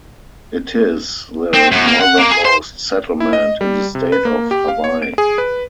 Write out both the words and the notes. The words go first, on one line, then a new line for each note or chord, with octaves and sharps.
It is the northernmost settlement in the state of Hawaii.
C4
F#2
A#3
F#5
A#3
G#4
C5
E4
D#5
G3
C3
B4
A#3
G4
F5
C#5
D7
G#4
B4